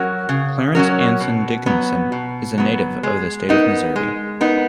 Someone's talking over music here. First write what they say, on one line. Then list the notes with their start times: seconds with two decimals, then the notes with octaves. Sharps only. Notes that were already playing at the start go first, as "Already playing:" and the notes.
Clarence Anson Dickison is a native of the state of Missouri.
Already playing: F#3 C#4 F#4 A#4
0.29 C#3
0.75 F#3 C#4 F#4 A#4
1.20 B2
1.66 F#3 B3
2.12 B2
2.58 F#3 B3
3.03 G#3
3.49 B3 D#4 A#4
3.96 G#3
4.41 B3 D#4 A#4